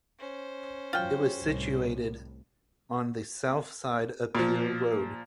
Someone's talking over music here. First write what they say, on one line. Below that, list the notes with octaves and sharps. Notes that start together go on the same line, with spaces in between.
It was situated on the south side of Pier Road.
C#4 C5
F#2 F#3 F4 G5
C2 A2
A#2 F3